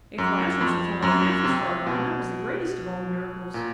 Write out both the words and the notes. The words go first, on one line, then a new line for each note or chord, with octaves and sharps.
If Lazarus was only half as far gone, that was the greatest of all the miracles.'
F#2
F2
F#2
C3
B2
A#2